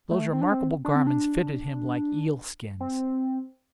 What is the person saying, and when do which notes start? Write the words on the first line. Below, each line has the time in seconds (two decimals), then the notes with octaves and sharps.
Those remarkable garments fitted him like eel-skins.
0.11 A3
0.33 C4
0.42 D4
0.52 C4
0.85 D4
0.95 C4
1.07 D4
2.80 C4